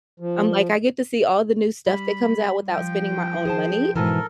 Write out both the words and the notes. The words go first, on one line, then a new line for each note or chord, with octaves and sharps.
I'm, like, I get to see all the new stuff that comes out without spending my own money,
F3
G3 B5
F3 G5
G#4 C5 A5
G#2 B2 E3 A4 A#4